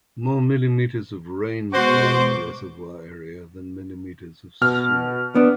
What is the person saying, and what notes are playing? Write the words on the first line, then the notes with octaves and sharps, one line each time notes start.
More millimeters of rain fall in the reservoir area than millimeters of snow.
B2 G#3 F#4 C5 C#6 D6
B2 F6
B3 D4